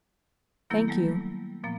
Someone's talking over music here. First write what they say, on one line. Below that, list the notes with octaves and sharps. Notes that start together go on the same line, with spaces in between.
Thank you.
D#3 F#3 A#3 B3 E4 A4
F#3 G3 A3 A#3
A#2 F3 A#3 B3